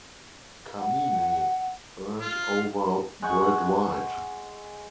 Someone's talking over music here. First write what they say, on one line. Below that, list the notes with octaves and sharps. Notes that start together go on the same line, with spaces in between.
"Kaminey" earned over worldwide.
F#5
F4
G#3 F#5 G5 C#6